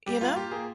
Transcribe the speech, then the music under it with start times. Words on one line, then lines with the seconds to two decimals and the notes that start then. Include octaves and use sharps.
you know?
0.06 G3 G4
0.21 A#3 F4
0.36 F4 G4
0.51 A#3 G#4